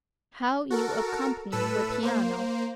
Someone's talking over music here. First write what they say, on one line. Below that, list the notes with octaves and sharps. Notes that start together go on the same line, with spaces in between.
"How you accompany with piano?"
F#4 A4 A#4
A2 A4 B4 E6
A#3 C5